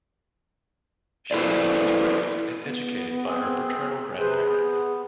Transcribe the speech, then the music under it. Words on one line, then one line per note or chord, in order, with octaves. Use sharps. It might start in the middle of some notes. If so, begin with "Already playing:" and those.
She was initially raised and educated by her paternal grandparents.
E4 A4 B4 C5 D5
B3
C4 G#4
C3 G#4 B4 C5
B3